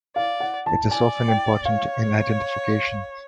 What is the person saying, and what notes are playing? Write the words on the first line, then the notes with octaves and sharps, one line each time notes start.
It is often important in identification.
D5 F5
F#5
A5
D5 G#5
G5
C#5 F5